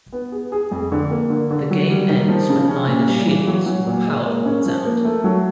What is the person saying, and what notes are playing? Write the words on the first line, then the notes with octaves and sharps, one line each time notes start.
The game ends when either shields or power runs out.
B3
G#4
G#4
F2
D3
A#3
D3
D3
F#3
G3
D#3
F3
C#3
C#4
A#2
G3
E3
F#3
F#3
A#2
G#3
A#3
C#4
F3
A#3
A3
F#3